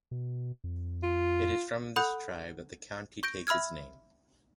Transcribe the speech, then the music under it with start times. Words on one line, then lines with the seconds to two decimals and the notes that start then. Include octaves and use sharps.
It is from this tribe that the county takes its name.
0.11 B2
0.64 F2
1.03 F4
1.96 A4 F#5 B5 D#6 F#6 G6
3.23 C#6 G6 A#6 D7
3.47 E5 B5 E6 F6 G#6